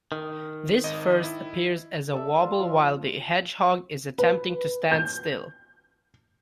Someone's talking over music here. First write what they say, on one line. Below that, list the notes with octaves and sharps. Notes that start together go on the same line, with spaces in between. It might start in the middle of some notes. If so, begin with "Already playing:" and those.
This first appears as a wobble while the hedgehog is attempting to stand still.
D#3
G#1 D#5
E4
A4 D5 E5
F4
F3 C6
B4
G6